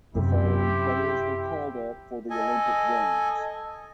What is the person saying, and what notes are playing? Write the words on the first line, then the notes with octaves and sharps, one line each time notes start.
The following players were called up for the Olympic Games.
F#2 C3 C4 E4 G4
A4 D#5 G#5